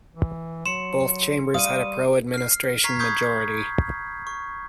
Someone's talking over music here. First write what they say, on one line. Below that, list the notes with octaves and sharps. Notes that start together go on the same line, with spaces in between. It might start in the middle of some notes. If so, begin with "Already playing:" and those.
Both chambers had a Pro-Administration majority.
E3
F#3 C6 C#7 E7
G3 F5 D#6 D#7
F6 C7
A#5 C#6 F6 G#6 B6 C7
B5 C#6 D#6 G6 G#6 B6
C#6